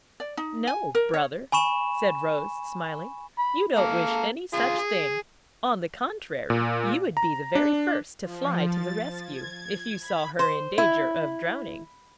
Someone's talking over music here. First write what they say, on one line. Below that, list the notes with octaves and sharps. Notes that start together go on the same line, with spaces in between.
"No, brother," said Rose, smiling, "you don't wish any such thing; on the contrary, you would be the very first to fly to the rescue if you saw her in danger of drowning."
D5
D#4
G#5
A#4
C#5
G#5 B5 C#6 E7
B5
A#3 A4
F4 G#4
G#4
A#2
A#5
D4
F3
A6
G#6
B5
C5
E4